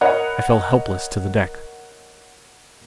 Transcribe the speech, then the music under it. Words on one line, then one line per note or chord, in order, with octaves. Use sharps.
I fell helpless to the deck.
A#4 C#5 D#5 F#5 B5